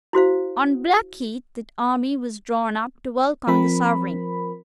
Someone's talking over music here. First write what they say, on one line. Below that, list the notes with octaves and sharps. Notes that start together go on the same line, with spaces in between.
On Blackheath the army was drawn up to welcome the sovereign.
E4 F#4 C5 F5
F3 C4 A#4 B5